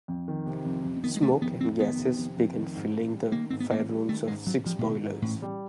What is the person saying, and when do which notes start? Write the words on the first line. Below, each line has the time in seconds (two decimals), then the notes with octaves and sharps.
Smoke and gases began filling the firerooms of six boilers.
0.08 F2
0.28 D#3
0.46 C3
0.65 F2
0.84 F2
0.97 C4
1.04 D#3 B3
1.16 G#3
1.22 C3 A3
1.42 F2 B3
1.61 F2 C4
1.80 D#3 B3
1.99 C3
2.17 F2
2.37 F2
2.56 D#3
2.75 G#2
2.94 A1
3.13 G3
3.32 D#3 A#3
3.50 G#2 C4
3.60 B3
3.70 A1 A#3
3.89 G3
4.08 D#3 A3
4.27 G#2 G#3
4.46 A1 F#3
4.65 F3 G3
4.79 A#2
4.84 B2 D#3
5.04 G#2
5.22 A1 A2
5.42 G3